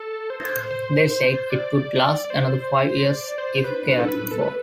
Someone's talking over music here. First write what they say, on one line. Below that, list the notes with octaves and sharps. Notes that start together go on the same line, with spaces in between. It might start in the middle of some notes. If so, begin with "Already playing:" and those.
They said it would last another five years if cared for.
Already playing: A4
C5
C5
D5
D5
C5
D5
C5
B4
B4
A4
B4
A4
B4